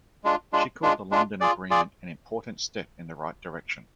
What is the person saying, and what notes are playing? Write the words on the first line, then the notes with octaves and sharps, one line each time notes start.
She called the London Agreement "an important step in the right direction".
G#3 D4 F4
G#3 D4 F4
G#3 D4 F4
G#3 D4 F4
F4 G#4 D5
F4 G#4 D5